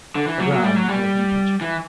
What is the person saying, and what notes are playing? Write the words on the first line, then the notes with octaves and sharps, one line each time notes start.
A brown earthen pitcher!
D3
E3
F#3
F#3
G3
F#3
G3
E3